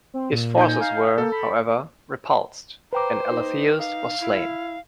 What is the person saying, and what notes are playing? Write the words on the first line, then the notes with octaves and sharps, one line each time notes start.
His forces were, however, repulsed, and Alatheus was slain.
C4
A#2
D#4 G#5 G6
F5
A#3 A4
B5
B4 C5 G5 A#5 D6
D#4
F5
E4